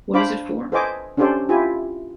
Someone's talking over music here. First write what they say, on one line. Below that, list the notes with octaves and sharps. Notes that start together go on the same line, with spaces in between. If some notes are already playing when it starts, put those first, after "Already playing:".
What is it for?
D4 C5 F5 B5 D6
A4 B4 C5 D#5 G#5 D6
C#4 D4 G4 A4 C5 D5
E4 F4 G4 G#5